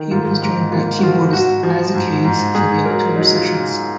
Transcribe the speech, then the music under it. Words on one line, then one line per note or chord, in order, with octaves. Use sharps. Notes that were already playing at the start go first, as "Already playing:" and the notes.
He was joined by keyboardist Isaac Hayes for the October sessions.
Already playing: D#3
G#2 F4
G#2
A#3 F4
F#4
F3 F4
G#2 F#4
F3
G#2
G#2
G#2 G#4
F#3 A#4
F#3 D#4
F4